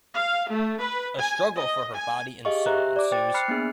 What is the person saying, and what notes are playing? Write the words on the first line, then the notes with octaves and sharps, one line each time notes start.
A struggle for her body and soul ensues.
F5
A3
B4
G#5
D#5
G#5
G4 G#4 D#5 F5 C#6
G4 C5 E5 A#5 F#6
D5 D6
C5 G5 D6 A6
B5 F6 F#6 C7 C#7
A#3 B3 D4 G#4